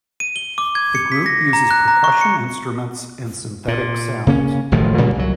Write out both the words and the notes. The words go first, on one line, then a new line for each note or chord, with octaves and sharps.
The group uses percussion instruments and synthetic sounds.
D#7
G7
D6
G#6
C#7
B6
A#6
A#5
F#6
A#5
C#6
C#7
A#2
C#3 A#3 C#4
F#1 A2 D#3 F3
A#2 C#3 G3 A#3
C2 F#3